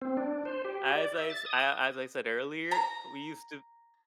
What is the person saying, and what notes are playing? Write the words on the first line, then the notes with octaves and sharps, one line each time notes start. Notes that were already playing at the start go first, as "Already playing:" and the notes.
As I s a as I said earlier, we used to
C4
D4
C5
G4
D5
E5
A6
D#6
A#5